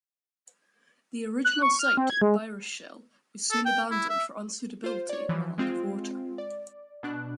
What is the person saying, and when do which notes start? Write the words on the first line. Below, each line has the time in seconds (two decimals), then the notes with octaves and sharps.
The original site at Bayrischzell was soon abandoned for unsuitability and lack of water.
1.45 F#6
1.62 C#6
1.79 F6
1.97 C4
2.10 G#6
2.22 G#3
3.51 A4
3.66 G5
3.91 E4
4.09 E5
4.84 F4 C5
5.09 C#5 D5
5.29 E3 F3
5.58 G#3 C4 F4
6.38 D5
7.03 B2 D4 F#6